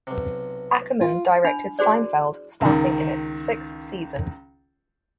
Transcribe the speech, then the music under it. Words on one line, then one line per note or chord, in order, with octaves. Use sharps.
Ackerman directed "Seinfeld" starting in its sixth season.
B1 C3
F4
D4 B5
F#4 G#4 C5 D5
C#2 D#3